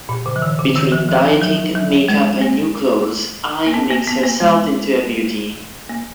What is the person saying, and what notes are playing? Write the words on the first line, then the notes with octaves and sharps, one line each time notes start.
Between dieting, makeup and new clothes, Ai makes herself into a beauty.
A#2
C#3
F3
D#3
C#3
D#3
F3
F3
F#3
F#3
G#3
G#3
A#3
A#3
B3
A#3
B3
A#3
G#3
A#3